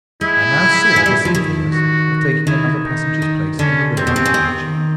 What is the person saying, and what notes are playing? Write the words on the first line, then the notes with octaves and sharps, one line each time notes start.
I now saw the sinfulness of taking another passenger's place in a railway-carriage.
G#3 E4
G#3
G3
F3
D#3
F#4
D#3 E4
D#4
D#3
D3 C#4
C3 C4
B2
C3
C#3
D#3